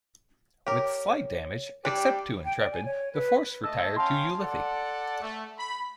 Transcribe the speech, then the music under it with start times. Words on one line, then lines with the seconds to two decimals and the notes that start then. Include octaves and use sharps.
With slight damage, except to "Intrepid", the force retired to Ulithi.
0.67 G4 A#4 C#5
1.85 G3 D4 G4
2.45 G5
2.59 D5
2.72 G#5
2.85 C#5
3.14 B4
3.64 A3 D#5 A5 E6
3.97 C#4 F5 G5 A5 C6
4.39 A4 D5 F#5
5.22 A3
5.57 B5